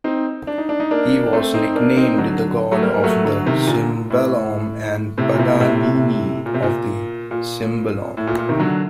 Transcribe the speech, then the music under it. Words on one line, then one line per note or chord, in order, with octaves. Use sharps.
He was nicknamed "the God of the Cimbalom" and "Paganini of the cimbalom".
C4 D#4
D4
D#4
D4
D#4
A#3 D4
D4
A3 C4
C4 D#4
A#3 D4
C4 D#4
D3 F#3
F#3 A3
G3 A#3
G3 A#3
F#3 A3
D3 F#3
C3 D#3
A#2 D3
A2
A2 C3
A#2
A2 C3
A2 C3
A#2
C3
A#2
A#2
A2
A#2
A#2
C3 D#3
D3 F#3